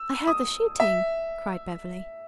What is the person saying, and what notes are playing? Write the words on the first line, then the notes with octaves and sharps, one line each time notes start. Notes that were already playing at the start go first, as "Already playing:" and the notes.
"I heard the shooting," cried Beverly.
Already playing: E6
D#6
E5